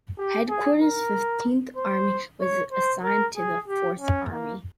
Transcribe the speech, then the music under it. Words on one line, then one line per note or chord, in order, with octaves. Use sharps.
Headquarters, Fifteenth Army was then assigned to the Fourth Army.
G4
G#4
A#4
C5
C#5
C5
A#4
G#4
G4
C#4
A#3